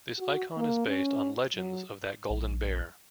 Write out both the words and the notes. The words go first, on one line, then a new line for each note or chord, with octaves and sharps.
This icon is based on legends of that golden bear.
F#4
A#3
C#4
F#3
A#1